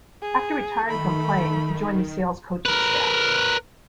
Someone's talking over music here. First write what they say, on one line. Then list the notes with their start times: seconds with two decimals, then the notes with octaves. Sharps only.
After retiring from playing he joined the Sale's Coaching staff.
0.22 G#4
0.86 D#3 A3 B5
2.66 A#4 B4